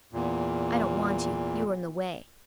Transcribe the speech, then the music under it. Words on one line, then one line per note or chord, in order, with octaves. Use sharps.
"I don't want you, you are in the way."
E2 A#2